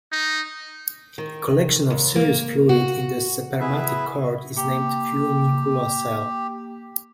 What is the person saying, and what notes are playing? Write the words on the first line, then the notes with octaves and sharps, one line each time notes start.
A collection of serous fluid in the spermatic cord is named 'funiculocele'.
D#4
D#3
D#2
A#3
F#4
B3 E4 G#4 B4 E5
F#4
A#3 G4 G5